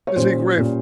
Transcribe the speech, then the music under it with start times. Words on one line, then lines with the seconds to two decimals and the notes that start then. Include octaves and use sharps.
Is he grateful?
0.07 C#5
0.16 A#2 G3 C#4 C5
0.57 A#2 G3 C#4